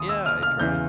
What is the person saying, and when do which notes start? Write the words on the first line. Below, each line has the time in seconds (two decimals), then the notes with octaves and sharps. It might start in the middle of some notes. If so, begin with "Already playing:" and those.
yeah, I try
Already playing: D#2 D#6
0.09 E6
0.26 F6
0.43 F6
0.60 E2 C#3 E3 G6